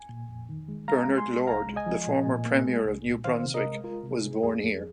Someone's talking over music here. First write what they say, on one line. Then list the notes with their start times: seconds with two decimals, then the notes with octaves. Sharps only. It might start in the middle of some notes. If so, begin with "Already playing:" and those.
Bernard Lord the former Premier of New Brunswick was born here.
Already playing: G#5
0.09 A#2
0.29 F2
0.49 D#3
0.68 G#3
0.88 G#3 F5 A#5
1.08 G#3
1.17 G#5 C6
1.28 G#3
1.47 C2 F5 A#5
1.67 G#3
1.76 D#5 G#5
1.86 F3
2.07 A#2
2.27 A#2
2.46 A#3
2.66 G#3
2.86 C2
3.06 A#2
3.24 D#3 C5 F5
3.45 C3
3.54 A#4 D#5
3.65 G#3
3.83 G#3 F4 A#4
4.03 C3
4.14 G#4
4.24 G#3
4.43 F2 G#4
4.63 F2